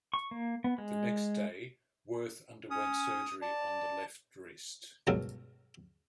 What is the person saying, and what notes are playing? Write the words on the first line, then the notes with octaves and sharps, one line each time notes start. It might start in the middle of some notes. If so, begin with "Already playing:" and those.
The next day, Werth underwent surgery on the left wrist.
C#6
A#3
B3
G#3
C#4 D#6
D5 A5
C#2 G2 B2 F#3 A4 A#4